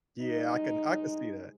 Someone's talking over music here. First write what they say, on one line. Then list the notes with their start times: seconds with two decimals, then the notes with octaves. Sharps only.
Yeah, I can I can see that.
0.22 C2 C3 G#3 D#4